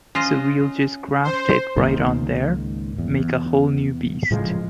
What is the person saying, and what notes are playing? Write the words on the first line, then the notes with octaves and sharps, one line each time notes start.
So we'll just graft it right on there, make a whole new beast.
C#4 F4 C5 D#5
C5
C#2 G#2 D#3 A#3
E2
A2 C#3 F3 G#3